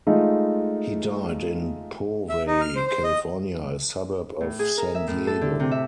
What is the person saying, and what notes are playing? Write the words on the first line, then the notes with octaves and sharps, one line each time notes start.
He died in Poway, California, a suburb of San Diego.
G#3 A3 D#4 F4
E5
D#4
F6
C5
C5
D#5
A2
G#4
A#4
E5
A2
A4
D3
C3
E5